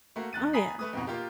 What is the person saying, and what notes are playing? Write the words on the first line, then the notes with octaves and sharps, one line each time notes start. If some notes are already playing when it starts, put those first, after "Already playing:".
Oh yeah.
A3 A#3 F#4
E2 F#6 A6 D#7
G#5 A#5 B5 D#6 B6 C7
A3 B4 D#6
F2 G#2 B2
A#3 F4 G4